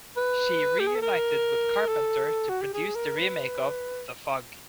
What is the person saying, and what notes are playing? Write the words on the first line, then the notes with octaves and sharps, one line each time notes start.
She reunited with Carpenter to produce the remake of "The Fog".
B4
G4
G#4
A4
A#4
A4
F#4
G4
G#4
A#4
B4